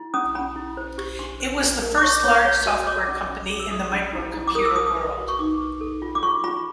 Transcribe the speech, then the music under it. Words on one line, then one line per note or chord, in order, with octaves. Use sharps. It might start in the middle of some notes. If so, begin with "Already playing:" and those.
It was the first large software company in the microcomputer world.
Already playing: E4
C#4 D#6
C#4 B5
E4
C5
G4
D4 C6
C5
F4
A#4
D6
C#5 C#6
C#5
C#5
F#4
C#5 D6
C#4
C#4
G#4
E6
F4 D#6
C#4
E4
E4
D6
A#4 D#6
E6
A#4 D#6
D#6
B4
F#4
C#6
D#4 D6
B4
A4
F4
D6
F4 C#6
F4 B5